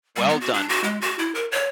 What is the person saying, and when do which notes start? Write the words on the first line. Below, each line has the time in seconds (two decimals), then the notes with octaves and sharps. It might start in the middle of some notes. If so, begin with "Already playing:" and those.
Well done.
0.16 G3
0.29 B3
0.41 F#4
0.54 D4
0.69 F#4
0.84 G#3
1.01 F#4
1.19 E4
1.35 A#4
1.52 C#5